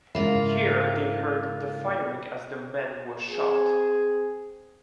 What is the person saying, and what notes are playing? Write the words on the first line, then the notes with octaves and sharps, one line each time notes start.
Here, they heard the firing as their men were shot.
G#2 C#3 A#3 E4 F4
C4 G#4